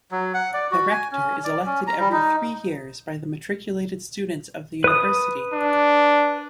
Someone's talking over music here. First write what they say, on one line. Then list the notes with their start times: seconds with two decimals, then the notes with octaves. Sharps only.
The Rector is elected every three years by the matriculated students of the University.
0.12 F#3
0.34 F#5
0.54 D5
0.71 F#4
0.91 G#5
1.12 C#4
1.44 D5
1.66 C#4
1.87 A#5
1.99 G3
2.12 D#4
4.84 B4 D#6
5.54 D4